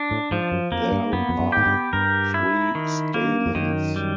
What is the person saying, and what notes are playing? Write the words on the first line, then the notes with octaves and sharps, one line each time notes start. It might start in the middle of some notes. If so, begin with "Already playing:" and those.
There are three stamens.
Already playing: D4
A2
G#2 F3
F#2
F2 A#3
G2
F#2 B3
F2
F#2
G#2 G4
G2
G2 A#4
E4
D#3
A#3
F2
F#2 D#3
G3